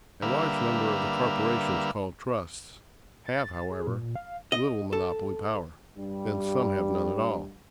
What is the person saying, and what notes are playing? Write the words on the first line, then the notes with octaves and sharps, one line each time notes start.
A large number of the corporations called trusts have, however, little monopoly power, and some have none at all.
D3 G3 A#3 B4 E5 F5
A6
G#4
A#2
F5
D#5
A4
G2 G3